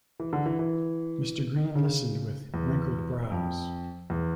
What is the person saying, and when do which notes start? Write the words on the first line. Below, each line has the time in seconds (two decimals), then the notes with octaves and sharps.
Mr. Green listened with wrinkled brows.
0.20 E3
0.33 D3
0.46 E3
0.59 E3
1.75 C#3
2.54 E2
3.32 F2
4.10 E2